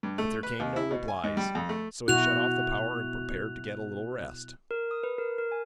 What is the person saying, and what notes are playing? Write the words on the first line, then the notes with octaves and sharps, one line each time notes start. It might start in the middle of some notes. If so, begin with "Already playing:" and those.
But there came no replies, so he shut off the power, and prepared to get a little rest.
G2
A3
B4
D#2
E4
B2
G#5
G#2
G3
F2
A3
B2 E4 F#4 F#6 F7
A#4
D#6
B4
A#4
A#4
G#5